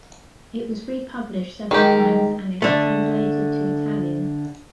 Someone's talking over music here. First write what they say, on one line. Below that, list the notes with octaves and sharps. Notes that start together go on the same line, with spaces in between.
It was republished several times and it was translated to Italian.
D#3 G#3 G4
D3 A3